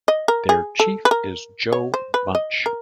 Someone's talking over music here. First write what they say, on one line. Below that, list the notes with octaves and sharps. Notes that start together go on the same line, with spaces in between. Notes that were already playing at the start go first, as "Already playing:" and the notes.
Their chief is Joe Bunch.
D#5
A#4
G#4
A4
B4
A#4
C#5
C5
B4
D#5
A#4